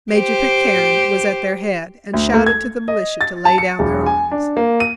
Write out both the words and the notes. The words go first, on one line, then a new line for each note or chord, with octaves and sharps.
Major Pitcairne was at their head and shouted to the militia to lay down their arms.
G4 C5
D2
A3
G#6
D#5
A6
A5
C#7
E1
G#5
D4
A#3
D#7